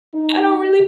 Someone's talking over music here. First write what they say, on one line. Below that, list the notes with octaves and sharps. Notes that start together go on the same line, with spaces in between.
I don't really
D#4